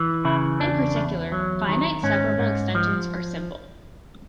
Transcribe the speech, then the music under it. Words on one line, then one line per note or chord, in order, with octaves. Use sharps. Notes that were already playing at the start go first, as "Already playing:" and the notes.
In particular, finite separable extensions are simple.
Already playing: E3
C#3 E4
E2 D4
E2
F#3
D#3
G#2 C#4
G#2
F3